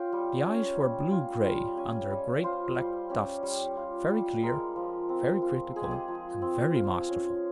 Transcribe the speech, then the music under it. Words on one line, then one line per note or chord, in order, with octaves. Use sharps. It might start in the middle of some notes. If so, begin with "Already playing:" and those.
The eyes were blue-gray under great black tufts, very clear, very critical, and very masterful.
Already playing: C#4 F4 G5
G3
C#4
G3
F4
G3
C#4 G#5
G3
F4 C5
G3
C#4 G4
G3
F4
G3
G#3 A#4
F3
C4
F4
G#3 G#4
G4
G#4
F3
C4
F4
C#4